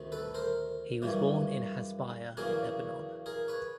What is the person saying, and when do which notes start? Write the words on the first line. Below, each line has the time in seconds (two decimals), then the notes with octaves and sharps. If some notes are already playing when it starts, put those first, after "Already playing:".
He was born in Hasbaya, Lebanon.
Already playing: D2 C3 D#3
0.12 A4 B4
0.34 A#4 C5
1.02 F#2 C#3 E3 G3
2.37 E2 C#3 F#3 A#3 C#4 G#4 A#4
3.26 G#4 A#4
3.48 B4 C#5